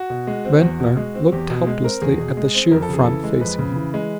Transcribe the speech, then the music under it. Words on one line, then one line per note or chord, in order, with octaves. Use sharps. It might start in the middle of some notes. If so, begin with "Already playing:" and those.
Ventnor looked helplessly at the sheer front facing him.
Already playing: F#4
B2
G#3
C4
E2
B2
G#3
C4
E2 G4
B2
G#3
C4 A#4
E2 G#4
B2
G#3
C4
F2 A#4
A4
C#3 G#4
E3 A4
G#3
F2 B4
C#3
E3
G#3